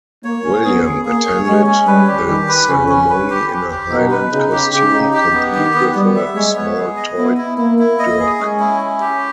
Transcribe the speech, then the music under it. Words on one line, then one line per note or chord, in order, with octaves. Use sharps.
William attended the ceremony in a Highland costume, complete with a small toy dirk.
A#3 C#5
C#4
B3 G#4
G#4
A#3 G#4
C#5
G#3 C#4
C#4
G3 B4
G4
D#3 G4
B4
C#3 C#4
C#4
B4
G4
G4
G4
B2 D#4
B4
C#3 D#4
G4
C#3 G4
D#4
G4
B3
D#3 G4
B3
G3 B3
E5
G#3 C#5
B3
G#4
D#5
B3 E4
E4
A#3 E4
E4
D#5
G#4
G#3 C#4
E4
C#4
G4